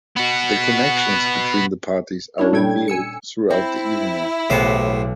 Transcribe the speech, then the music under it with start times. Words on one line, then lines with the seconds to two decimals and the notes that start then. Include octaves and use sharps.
The connections between the parties are revealed throughout the evening.
0.16 B3 F#4
2.38 C#4 D4 E4 C#5
2.52 A#2 G3 A4 G5 G#6
2.88 G#5 E6 C#7
3.50 C4 E4
4.50 B1 A2 G#3 B3 G4 C5